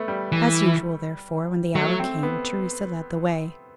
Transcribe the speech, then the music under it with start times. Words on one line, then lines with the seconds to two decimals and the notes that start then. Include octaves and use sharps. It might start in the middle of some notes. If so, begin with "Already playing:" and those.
As usual, therefore, when the hour came, Theresa led the way.
Already playing: A3 B3
0.08 G3
0.32 E3
1.75 F#3 A3
1.99 C4
2.23 B3